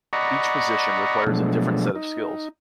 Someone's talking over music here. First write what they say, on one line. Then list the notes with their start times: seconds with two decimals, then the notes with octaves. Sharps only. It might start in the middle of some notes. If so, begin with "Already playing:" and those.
Each position requires a different set of skills.
0.13 D5 D#5 F#5 A#5 B5 C#6
1.27 B2 F3 F#3 G#3 A3 D4
1.95 D#4